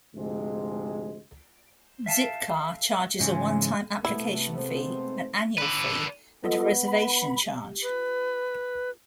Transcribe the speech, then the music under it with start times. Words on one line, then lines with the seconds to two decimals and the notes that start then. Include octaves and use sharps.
Zipcar charges a one-time application fee, an annual fee, and a reservation charge.
0.15 D2 G#2 C3 F3 G#3
2.06 E5 F5 G#5 A5
3.20 G#2 C#3 E3 G#3
4.05 C3 A3 B3 E4
4.57 G#3 C4 C5
5.58 D3 B4
6.44 B3 F4 A4 D#5
6.85 B5
7.83 B4